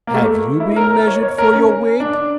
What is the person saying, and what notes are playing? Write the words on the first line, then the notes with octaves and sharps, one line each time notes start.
"Have you been measured for your wig?"
A#3
A3
E4
A#4
A#4
C#5
C#5
A#4
C#4
D4